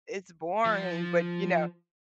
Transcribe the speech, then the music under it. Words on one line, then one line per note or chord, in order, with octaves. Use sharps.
it's boring, but, you know
F3